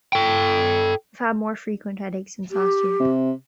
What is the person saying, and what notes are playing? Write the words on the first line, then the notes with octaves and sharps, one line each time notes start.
I've had more frequent headaches since last year.
A4 G5
G4
C3